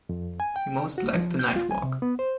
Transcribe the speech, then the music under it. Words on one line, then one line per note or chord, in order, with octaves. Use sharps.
He most liked the night walk.
F2
G#5
G5
F#4
F3
G6
F4
G#5
C3
B3
C5